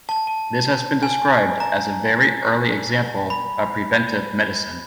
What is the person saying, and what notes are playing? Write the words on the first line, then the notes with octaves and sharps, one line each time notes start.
This has been described as a very early example of preventive medicine.
A5
A5
G#5
A#5
B5